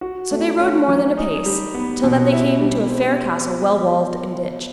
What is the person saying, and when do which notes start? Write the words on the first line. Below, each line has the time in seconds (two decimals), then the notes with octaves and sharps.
So they rode more than a pace, till that they came to a fair castle well walled and ditched.
0.01 F#4
0.31 A3
0.60 C#4
0.88 F#3
1.17 D#4
1.46 G3
1.75 B3
2.03 B2
2.32 E4
2.61 G3
2.89 C4